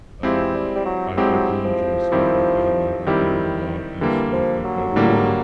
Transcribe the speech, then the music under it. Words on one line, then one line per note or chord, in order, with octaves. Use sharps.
Um, I I do enjoy stuff like that and I I do it a lot and stuff like that. Or
F3 G#3 C4 E4 G4
G3
G3
F#3
F#3 G#3 C4 E4 G4
F3
D#3 G3 C4 E4 G4
D#3 G3 C4 E4 G4
D3 E3 G3 A#3
F3
F#3
D3 G3 A#3